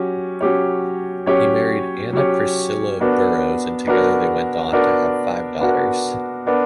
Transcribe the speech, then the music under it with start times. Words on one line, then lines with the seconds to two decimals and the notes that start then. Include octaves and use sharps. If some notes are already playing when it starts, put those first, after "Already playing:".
He married Anna Priscilla Burroughs and together they went on to have five daughters.
Already playing: F#3 C#4 G4
0.41 F#3 C#4 G4 C#5
1.26 F#3 C#4 G4 C#5
2.13 F#3 C#4 G4 C#5
3.00 B3 D4 F#4 A#4
3.87 B3 D4 F#4 A#4
4.73 B3 D4 F#4 A#4
5.59 B3 D4 F#4 A#4
6.46 B3 D4 A#4